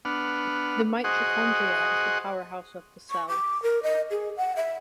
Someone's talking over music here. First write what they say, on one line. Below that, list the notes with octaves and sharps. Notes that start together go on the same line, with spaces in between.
The mitochondria is the powerhouse of the cell.
B3 D4 F#5 F6
F#4 G#4 C5 D#5 F#5
C#6
D6
A#4
D#5
G#4
F#5
E5